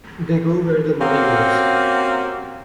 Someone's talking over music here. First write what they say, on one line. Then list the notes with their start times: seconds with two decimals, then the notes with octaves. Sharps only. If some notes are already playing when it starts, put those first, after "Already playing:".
They go where the money goes.
1.01 A#3 C4 C#4 F#4 G4 F5